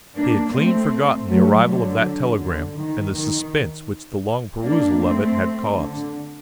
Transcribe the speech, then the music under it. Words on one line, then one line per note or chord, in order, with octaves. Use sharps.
He had clean forgotten the arrival of that telegram and the suspense which the long perusal of it had caused.
A#3 D4
A3 C4
F#3 A3
D3 F#3
D3
D#3
D#3
A#3 D4
A3 C4
D3